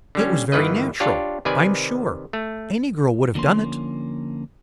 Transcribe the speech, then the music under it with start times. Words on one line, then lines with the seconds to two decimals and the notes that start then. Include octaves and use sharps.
It was very natural, I'm sure; any girl would have done it.'
0.15 D3 G3 C#4
0.52 G1 D#3 E3 B4 D#5
1.00 D4 F4 G4 C#5
1.45 C3 D#3 B4 D5 G#5
2.33 A3
3.35 D3 F3 A#3 C#4 C6